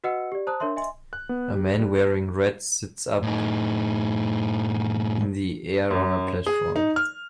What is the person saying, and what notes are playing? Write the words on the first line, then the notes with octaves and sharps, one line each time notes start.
A man wearing red sits up in the air on a platform.
F#4 B4 D#5 F#5 E6 C#7
G4 D5
C5 A5 A#5 D#6 F#6
D4 A#4 C#5 E5 C6
D#5 E5 G#5 C6
F#6
B3
G4
G3
B4
A2 D#4
F#2
G#4
D#4
F6